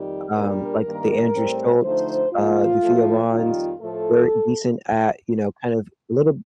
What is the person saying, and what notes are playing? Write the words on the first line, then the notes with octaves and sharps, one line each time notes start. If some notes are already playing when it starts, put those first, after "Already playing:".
um, like, the Andrew Schultzs, uh, the Theo Vanns, they're decent at, you know, kind of little
Already playing: F2 D#3 G3 G4
A#2 G3 D4 A#4
G2 D#3 A#3 D#4
A2 G3 C4
D3 F3 A3 D#4 C5
A2 F3 A#3 F4
A#2 F3 A3
F2 D#3 G3 F4
A2 F3 A3 A4